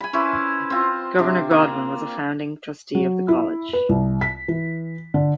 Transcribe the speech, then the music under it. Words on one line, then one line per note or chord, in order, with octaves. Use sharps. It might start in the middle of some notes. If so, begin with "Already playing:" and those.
Governor Godwin was a founding Trustee of the College.
G#5 B5
C#4 E4 B4 C5
C4 F4
C3 D4
A#3
F#3
E4
B4
C2
B6
E3
D3